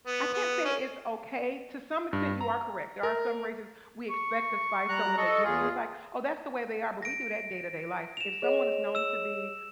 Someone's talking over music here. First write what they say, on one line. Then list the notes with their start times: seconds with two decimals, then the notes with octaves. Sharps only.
I can't say it's okay. To some extent, you are correct, there are some races we expect the spice, so when they give it, it's like, "Oh, that's the way they are," but we do that in day-to-day life, if someone is known to be,
0.07 B3
0.34 B3
0.65 C#4
2.13 G2
2.41 A#5
3.03 A#4
4.10 C#6
4.89 G3 A#5 F#6
5.18 A4 D#5 C#6
5.44 E2 F4 G#4
7.02 A#6 D7
8.17 E7 F7
8.42 G#4 C#5 D#5
8.95 E6 E7